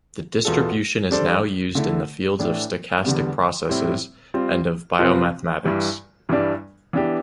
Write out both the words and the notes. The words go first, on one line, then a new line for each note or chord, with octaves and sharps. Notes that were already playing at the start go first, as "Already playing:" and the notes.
The distribution is now used in the fields of stochastic processes and of biomathematics.
E2 B2 B3 F4 A4
G3 D4 A4 C5
D3 A3 E4
A2 E3 A3 D4
E2 D3 G3 B3
A2 G3 C4 E4
G3 C4 F4
C3 F3 C4 F4 B4
G2 E3 G3
G2 E3 G3 D4
E3 B3 D4 G4